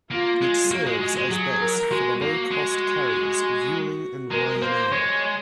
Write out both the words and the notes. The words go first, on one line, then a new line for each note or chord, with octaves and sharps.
It serves as base for the low cost carriers Vueling and Ryanair.
A#3 F4
G#3
A#3 F#4
G#3
G#3
G#3
F#3 G#4
A#4
G#3 F#4
A#3
G#3
G#3 A#4
A#3 C5
G#3 C#5